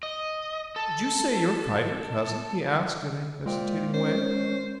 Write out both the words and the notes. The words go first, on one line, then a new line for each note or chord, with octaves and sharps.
"Did you say your fighting cousin?" he asked in a hesitating way.
D#5
A4
A#2 G#3 F4 C5 G5
C#4 A#4 C5